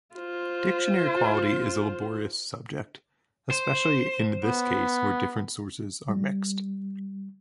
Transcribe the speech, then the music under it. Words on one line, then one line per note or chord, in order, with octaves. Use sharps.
Dictionary quality is a laborious subject, especially in this case where different sources are mixed.
F4 C5
C5
B3
G3